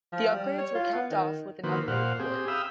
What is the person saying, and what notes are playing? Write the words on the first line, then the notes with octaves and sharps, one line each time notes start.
The upgrades were capped off with an upgraded court.
F3
G3
C#5
F4
B3
D#3
D#3 F3 A#3 F#4 B4 C5
A#2 C5 F5 F#5
C4 G4 G#4
E5 F5 G5 B5 D#6 E6